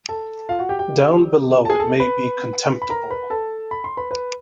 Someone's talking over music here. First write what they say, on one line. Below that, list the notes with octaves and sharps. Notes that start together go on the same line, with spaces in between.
Down below it may be contemptible.
A4 A5
F4 F5
F#4 F#5
G4 G5
G4 G5
A5
G#4 G#5
A4 A5
B4 B5
B5
A#4 A#5
B4 B5
A4 A5
B5
C6
B4 B5
B4 B5